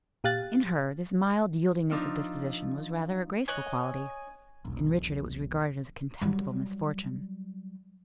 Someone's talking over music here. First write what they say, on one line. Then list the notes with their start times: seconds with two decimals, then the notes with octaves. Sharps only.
In her, this mild yieldingness of disposition was rather a graceful quality; in Richard it was regarded as a contemptible misfortune.
0.24 A#2 G4 F5 F#6 A6
1.91 F3 D4 D#4 E6 F6
3.48 C#5 D#5 G#5 F#6
4.65 E1 B1
6.21 F#3 G3